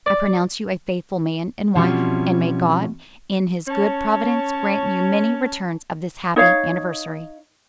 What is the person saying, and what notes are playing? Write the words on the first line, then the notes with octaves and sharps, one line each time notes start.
"I pronounce you a faithful man and wife: and may God, in his good providence, grant you many returns of this happy anniversary."
D5
B2 F3 G3 C4 C#4 E4
C#4 C#5 A5
D#4 C#5 F5